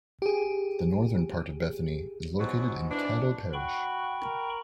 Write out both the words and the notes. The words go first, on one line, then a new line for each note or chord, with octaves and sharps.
The northern part of Bethany is located in Caddo Parish.
G4 G#4
G#2 B2 F#3
E3 D4
F#4 G5 B5 C#6
A#4